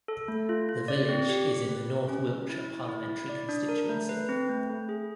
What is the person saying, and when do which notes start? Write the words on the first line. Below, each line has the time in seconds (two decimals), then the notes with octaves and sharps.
The village is in the North Wiltshire parliamentary constituency.
0.08 A4
0.28 A3
0.49 F4
0.69 F4
0.88 D5
1.09 C4
1.29 G4
1.48 G4
1.69 B4
1.89 C4
2.08 C#4
2.29 C#4
2.49 E4
2.69 E4
2.89 E4
3.09 E4
3.29 D5
3.49 D4
3.69 A#4
3.89 A3
4.09 B4
4.29 C4
4.49 A3
4.70 A3
4.89 G#4